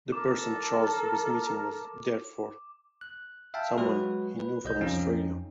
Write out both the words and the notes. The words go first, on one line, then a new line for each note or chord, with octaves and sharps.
The person Charles was meeting was, therefore, someone he knew from Australia.
A4 A#4 D6
F#6
E5 F5 G5 A5
F#3 G#3 F#4 B4
B4
C2 D#5 G6
F2 F3 C#4 D#4